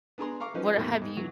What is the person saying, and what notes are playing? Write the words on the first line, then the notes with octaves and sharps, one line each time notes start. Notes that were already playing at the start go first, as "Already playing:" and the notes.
What have you
B3 D4 G#4 A#5 C6
F5 A#5 C#6 D6
F3 C#4 D#4 B4 C5
E2 A2 D#3 G3 A3 A#3
G#2
E3 F#3 F#4